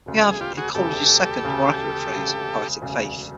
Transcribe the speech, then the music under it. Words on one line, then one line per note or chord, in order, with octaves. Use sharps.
We have, in Coleridge's second, more accurate phrase, "poetic faith".
E1 D2 C#3
G#4
F4 G4
F#4 G#4
E1 D2 C#3 G4 A4
E1 D2 C#3
E1 D2 C#3
E1 D2 C#3